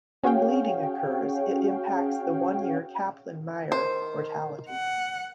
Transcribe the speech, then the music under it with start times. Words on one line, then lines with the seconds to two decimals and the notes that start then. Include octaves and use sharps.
When bleeding occurs, it impacts the one year Kaplan-Meier mortality.
0.23 C#4 F#4 G#4 C#5 F5 G5
3.72 D#3 C5
4.70 F#5